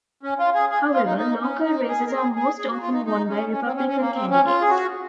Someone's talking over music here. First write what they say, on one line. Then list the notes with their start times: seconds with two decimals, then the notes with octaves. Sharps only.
However, local races are most often won by Republican candidates.
0.23 C#4
0.39 F4
0.55 G#4
0.71 G#4
0.94 F4
1.06 D#4
1.17 D#4
1.41 C#4
1.65 D#4
1.88 G#4
2.07 A#4
2.11 G#4
2.35 G#4
2.59 G#4
2.70 F#4
2.82 F4
2.93 D#4
3.06 D#4
3.29 C#4
3.52 C#4
3.64 C4
3.76 C#4
3.88 C#4
4.00 A#3
4.15 C4
4.30 C#4
4.46 F4
4.61 G#4
4.70 F#4